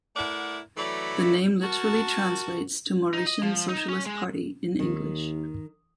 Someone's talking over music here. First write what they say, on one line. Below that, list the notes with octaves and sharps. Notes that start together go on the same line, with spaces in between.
The name literally translates to "Mauritian Socialist Party" in English.
A3 E4 A#4 D5 F#5
E3 F#3 A3 D5 E5 B5
F#4 A#4 A5
D#4
D#5
F3
D#4
C#4
G#3
D#2 D#3